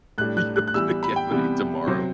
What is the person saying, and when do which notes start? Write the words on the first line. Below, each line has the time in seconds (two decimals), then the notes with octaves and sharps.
you don't get a cavity tomorrow.
0.18 A2 G3 D4 F#6
0.37 F#6
0.56 F#6
0.68 F#6
0.74 E3 G3 B3 E6
1.03 B5
1.16 G5
1.31 C3 E3 G3 B3
1.87 C3 F#3 C4